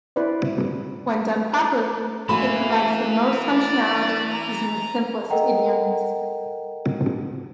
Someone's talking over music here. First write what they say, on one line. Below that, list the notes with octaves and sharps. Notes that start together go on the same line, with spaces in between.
When done properly, it provides the most functionality using the simplest idioms.
E4 B4 C5 D5
E3 A3 A#3 C#4 F#4 B5
D5
A#5
A4 A#4 D#5 F#5 G5 A#5